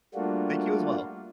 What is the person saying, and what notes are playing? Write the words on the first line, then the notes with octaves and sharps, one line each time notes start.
Thank you as well.
G3 A3 A#3 D4 F4 F#4